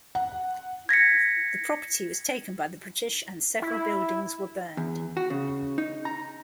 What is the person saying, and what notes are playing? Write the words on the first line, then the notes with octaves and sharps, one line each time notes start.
The property was taken by the British and several buildings were burned.
F#5
G#6 A#6 B6 C#7
E4
E2
F#4
C#3
D#4
A#5